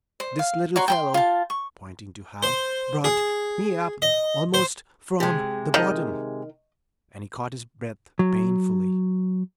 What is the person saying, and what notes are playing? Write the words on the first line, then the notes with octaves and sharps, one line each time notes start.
"This little fellow"--pointing to Hal--"brought--me up--almost--from--the bottom!" and he caught his breath, painfully.
C5
F5
F#4 C#5 A#5 C6
G5 A#5 C6
F4 A5
C#6
C5
G#4
D#5
C5
C3 G#3 G4 G#4
D#3 D#5
F#3